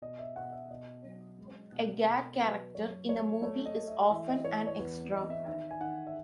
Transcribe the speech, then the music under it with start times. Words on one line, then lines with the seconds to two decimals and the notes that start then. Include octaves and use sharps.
A "gag" character in a movie is often an extra.
0.02 B2 D#5
0.19 E5
0.36 B2 F#5
0.53 E5
0.71 B2 D#5
1.04 F#3
1.38 G#3
1.72 B2
2.07 B2
2.40 F#3 B4
2.74 F#2 C#5
3.09 A3 C#5
3.42 A3 C#5
3.66 D#5
3.76 A3
3.87 E5
4.11 E3 E5
4.28 D#5
4.44 E3 C#5
4.67 C#5
4.79 E2 B4
5.13 E2 D#5
5.30 E5
5.47 D#3 E5
5.71 G#5
5.80 D#3 F#5
6.07 E5